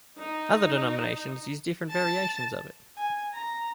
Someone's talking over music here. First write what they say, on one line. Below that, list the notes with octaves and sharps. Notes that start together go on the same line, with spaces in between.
Other denominations used different variations of it.
D#4
A5 A6
G#5
A#5